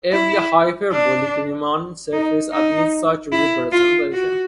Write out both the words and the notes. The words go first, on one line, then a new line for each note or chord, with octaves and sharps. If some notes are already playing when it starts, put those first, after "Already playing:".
Every hyperbolic Riemann surface admits such a representation.
E4
D4
D#4
D#4
E4
F4
F#4